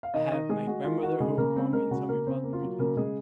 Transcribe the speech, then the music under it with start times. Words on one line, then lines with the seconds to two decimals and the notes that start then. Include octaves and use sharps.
I have my grandmother who will call me and tell me about the religion.
0.03 F5
0.14 D#3 D#4 D#5
0.31 D#3 D#4 D#5
0.49 G#3 G#4
0.67 G#3 F#4
0.84 D#3 F4
1.03 D#3 F#4
1.20 C#3 G#3 G#4
1.38 C#3 A#3 A#4
1.56 G#3 C4 C5
1.73 G#3 A#3 A#4
1.91 C#3 F#4
2.09 C#3 A#3 A#4
2.27 C#3 C4 C5
2.44 A#3
2.53 F4
2.62 F#3
2.79 C#3 A#3 A#4
2.97 C#3 G#3 G#4